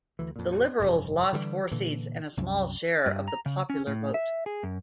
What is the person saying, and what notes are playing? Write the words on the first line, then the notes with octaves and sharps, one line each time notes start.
The Liberals lost four seats and a small share of the popular vote.
D2 E3
F2 A#2
F1 G2
D3 E3 F3 G3
A#2 D3 E3
C2 F#2
G2
A#5
C#3
C#4
A2
E5
G#4
F#2